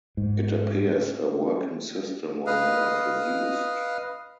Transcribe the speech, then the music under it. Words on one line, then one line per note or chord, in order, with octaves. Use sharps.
It appears a working system was never produced.
G#2
B4 D#5 F5